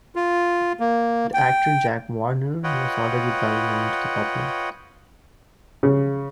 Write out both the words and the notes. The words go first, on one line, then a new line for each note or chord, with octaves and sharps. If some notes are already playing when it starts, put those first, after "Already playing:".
The actor Jack Warner was already well known to the public.
F4
A#3
G5
F4 B4 C#5 D#5 F#5 G5
C#3